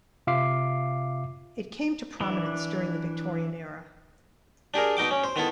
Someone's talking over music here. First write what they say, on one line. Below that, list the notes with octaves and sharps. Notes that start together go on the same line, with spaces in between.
It came to prominence during the Victorian era.
C3 F4 E5 F5 D6 C7
E3 D4
D4 G4 G#4 A#4
B2 D#4 G5 D6
C#4
C5
D#3 B3 E4 A4